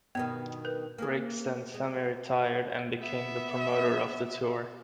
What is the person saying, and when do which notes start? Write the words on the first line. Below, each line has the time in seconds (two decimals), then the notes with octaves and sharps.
Riggs then semi-retired and became the promoter of the tour.
0.15 G2 B2 D#3 B3
0.65 A#4 B4
0.98 A#3 C#4 G#4
1.74 G#3
2.99 B3 E5